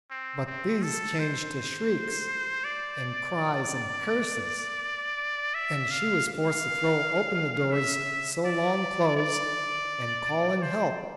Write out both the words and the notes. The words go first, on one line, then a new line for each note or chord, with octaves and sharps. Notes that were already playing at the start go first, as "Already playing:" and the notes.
But these changed to shrieks and cries and curses, and she was forced to throw open the doors so long closed and call in help.
C4
C4
A4
C5
D5
E5
F5
F5
E5
D5
D5
C5